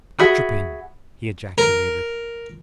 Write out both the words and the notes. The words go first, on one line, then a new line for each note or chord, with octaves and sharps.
"Atropin!" he ejaculated.
F#4 G#4 E5 B5
A#4